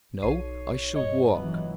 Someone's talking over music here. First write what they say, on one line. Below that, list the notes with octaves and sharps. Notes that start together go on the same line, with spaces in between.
"No; I shall walk."
B1 C#5 C7 D#7
G2 C#5 D#5
F1 E3 F#3 B3